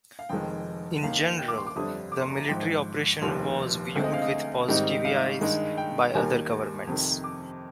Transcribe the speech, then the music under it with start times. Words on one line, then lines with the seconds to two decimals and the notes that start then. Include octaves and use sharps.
In general, the military operation was viewed with positive eyes by other governments.
0.19 F5
0.29 F1 F2 D#3 G#3 G5
1.03 D#2 D#3 A#3 F5
1.39 G5
1.48 D6
1.58 C6
1.66 D6
1.75 G1 F2 D3 G3 D4 D#6
2.12 D6
2.21 C6
2.30 A#5
2.49 G#1 G#2 F3 G5
3.22 F1 D#2 D#3 G3
3.95 D2 D3 G#3 C4
4.04 D#5
4.13 F5
4.22 D#5
4.68 G#2 D#3 G3 C4 D#4
5.05 F5
5.41 G2 D#3 G#3 D#4
5.78 G5
6.14 D#2 D#3 G3 A#3 G#5
6.87 F2 C3 D#3
7.24 D6